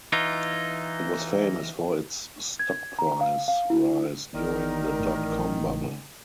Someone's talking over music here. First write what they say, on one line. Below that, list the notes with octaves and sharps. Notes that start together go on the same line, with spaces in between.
It was famous for its stock price rise during the dot-com bubble.
E3 D#4 F4
G#6
A#5
F5
F5
E4
G#1 D#3 D4 D#4 A#4
A1 A2